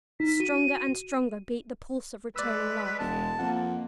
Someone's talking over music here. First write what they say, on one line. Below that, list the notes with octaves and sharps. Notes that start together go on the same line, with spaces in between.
Stronger and stronger beat the pulse of returning life.
D#4 B6
F#4 D#7
G#3 B4 D5 E6
E1 A5
F2 A#3 F#5